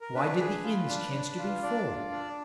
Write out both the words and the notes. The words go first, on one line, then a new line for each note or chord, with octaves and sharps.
Why did the inns chance to be full?
A#4
D4 B4
G#4
F4
D4
D4
F4
D4 D5
F4
D4